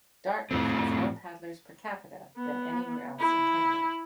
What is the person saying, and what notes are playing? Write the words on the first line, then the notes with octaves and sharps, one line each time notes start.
Dartmouth has more paddlers per capita than anywhere else in Canada.
A2 F3 C4
B3
E4